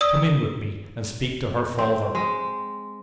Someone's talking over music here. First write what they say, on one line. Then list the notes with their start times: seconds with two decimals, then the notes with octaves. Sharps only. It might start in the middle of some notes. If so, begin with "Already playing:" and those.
'Come in with me, and speak to her father.'
0.01 D5 D#6 E6
1.78 C4
2.15 G#3